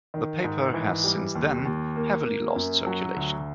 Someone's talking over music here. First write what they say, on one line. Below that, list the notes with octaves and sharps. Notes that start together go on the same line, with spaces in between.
The paper has since then heavily lost circulation.
D#3
G#2
E3
G3
D#2
D#2
A#3
A#3
F#2
F#3
D2